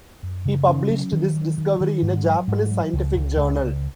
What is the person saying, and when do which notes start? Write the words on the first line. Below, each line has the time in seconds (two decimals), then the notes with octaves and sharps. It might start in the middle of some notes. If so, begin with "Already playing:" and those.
He published this discovery in a Japanese scientific journal.
0.23 F#2
0.45 C#3
0.68 C#4
0.90 F#3
1.12 D#3
1.36 F#3
1.58 D#3
1.81 D#3
2.02 G#2
2.25 F#3
2.48 G#2
2.71 F#3
2.93 C#2
3.15 C#2
3.37 C#2
3.60 C#2